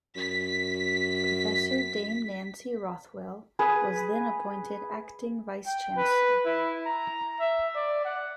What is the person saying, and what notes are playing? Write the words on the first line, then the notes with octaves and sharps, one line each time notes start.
Professor Dame Nancy Rothwell was then appointed acting Vice Chancellor.
F#2 B6
G#4 B4
G5
B4
E4
A#5
E5
D5
F#5